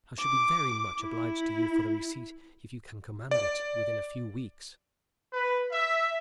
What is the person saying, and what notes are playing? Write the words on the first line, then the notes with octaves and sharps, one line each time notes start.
I should be very much obliged to you for the receipt, if you can command it within a few weeks.'
D6
E4
D5
B4
E5